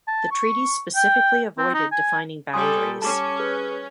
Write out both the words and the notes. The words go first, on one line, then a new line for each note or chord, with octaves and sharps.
The treaty specifically avoided defining boundaries.
A5
C#6
G5
C4
D#4
G#5
G3 A4 G#5 C6 D#6
C#4 A5 D6
G#4 B4